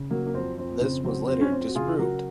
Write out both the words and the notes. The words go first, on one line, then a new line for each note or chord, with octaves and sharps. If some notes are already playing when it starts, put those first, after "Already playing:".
This was later disproved.
Already playing: C#3
F#3 A#3
A#3
F2 C4
F2 C4
C#3 C4
F#3 C4
F2 C4
C#4
F2 C4
F#4
C#3 F4 G#4
F#3 F#4 A#4